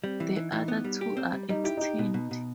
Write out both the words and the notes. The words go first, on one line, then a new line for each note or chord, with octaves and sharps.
The other two are extinct.
G3 C4
E3
D#4
E3
E3 D#4
B3
G3
G4
C4
G3
G3 D#4
E4 G4
D#4 G4
B2
B2
B2